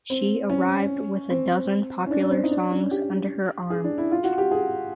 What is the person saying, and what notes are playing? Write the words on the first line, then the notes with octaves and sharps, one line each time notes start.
She arrived with a dozen popular songs under her arm.
C4
C#4
C4
C#4
D4
C4
D#4
D4
C#4
G4
G#4
D4
E4
F4
F#4
G4
G#4